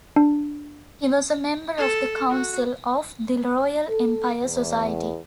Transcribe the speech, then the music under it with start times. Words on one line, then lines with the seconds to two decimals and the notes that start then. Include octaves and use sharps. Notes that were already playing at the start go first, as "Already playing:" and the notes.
He was a member of the Council of the Royal Empire Society.
0.16 D4
1.77 A4
2.30 F#4
3.89 A4
4.41 E2